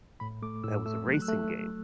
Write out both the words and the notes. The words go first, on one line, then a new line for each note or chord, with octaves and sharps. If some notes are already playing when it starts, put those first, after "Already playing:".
It was a racing game,
A2 B5
A3 D6
A2 E6
A3 E6
F#3
F#6
E6
A3 F#6
A3